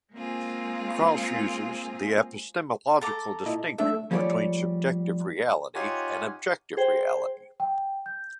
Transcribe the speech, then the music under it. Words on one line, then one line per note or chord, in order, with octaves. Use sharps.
Kraus uses the epistemological distinction between subjective reality and objective reality.
G#3 A#3 C4 F4 G#4
A4 A#5 D6
A#2 E4 D#5
A3 D4 A4 E5
F3 G3 A3 G#4 C#5 D5
D#4 F4 G4 C#5 F#5 G#5
G#4 C5 G5
G5
G6